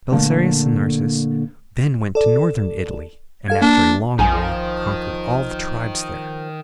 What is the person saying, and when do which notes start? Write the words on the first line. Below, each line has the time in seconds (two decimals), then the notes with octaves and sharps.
Belisarius and Narses then went to Northern Italy, and, after a long war, conquered all the tribes there.
0.11 A#2 D3 A3 A#3
2.15 A4 D5
3.48 A4 F5 G#6
3.62 A#3 D4
4.19 A#1 D#3 F3 F4 G#5 A#5